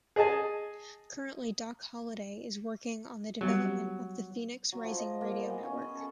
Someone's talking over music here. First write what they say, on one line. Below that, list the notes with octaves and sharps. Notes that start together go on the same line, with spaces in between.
Currently Doc Holliday is working on the development of the Phoenix Rising Radio Network.
G#4 D#5 G#5 A5
F#3 G3 B3 G4
F#3
F3
D#5
A#3
B3
G#4
C#4
G#4
A4